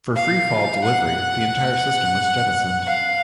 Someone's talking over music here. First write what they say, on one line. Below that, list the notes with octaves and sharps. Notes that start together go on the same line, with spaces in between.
For free-fall delivery, the entire system was jettisoned.
F5
F#5
F5